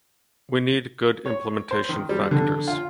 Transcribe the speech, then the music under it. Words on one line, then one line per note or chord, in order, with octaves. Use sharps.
We need good implementation factors.
C#5
C5
D#3
G3
D3
F4